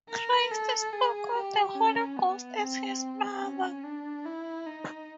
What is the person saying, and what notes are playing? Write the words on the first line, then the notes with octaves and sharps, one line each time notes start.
Christ spoke of the Holy Ghost as his mother.
A#4
A4
G#4
G4
C#4
B3
C4
C#4
D4
E4
D#4